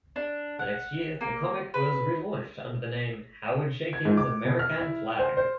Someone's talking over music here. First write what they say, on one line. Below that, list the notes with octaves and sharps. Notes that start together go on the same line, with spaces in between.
The next year, the comic was re-launched under the name Howard Chaykin's Amerikan Flagg!
D4
F#5
A#3
B4
G#6
G#2
D6
B2
F6
E4
C5
C5